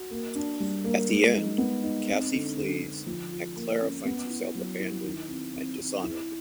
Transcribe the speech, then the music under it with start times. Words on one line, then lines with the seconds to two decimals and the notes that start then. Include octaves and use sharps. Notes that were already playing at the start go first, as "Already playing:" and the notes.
At the end, Cassi flees and Clara finds herself abandoned and "dishonored".
Already playing: F#4
0.11 A#3
0.35 D4
0.60 G3
0.84 A#3
1.09 G#3
1.33 D#4
1.58 B3
1.83 D#4
2.08 C4
2.33 D3
2.57 D3
2.82 D3
3.06 F3
3.32 F4
3.56 A#3
3.81 C#4
4.05 B3
4.30 E4
4.55 F#3
4.80 E4
5.04 D#3
5.28 C4
5.53 C4
5.78 C4
6.04 E4